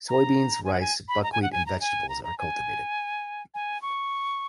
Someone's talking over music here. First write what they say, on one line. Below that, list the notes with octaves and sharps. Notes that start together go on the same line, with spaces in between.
Soybeans, rice, buckwheat, and vegetables are cultivated.
A#5
G#5
F#5
G#5
B5
A#5
G#5
F#5
G#5
A#5
G#5
A#5
A#5
G#5
G#5
C#6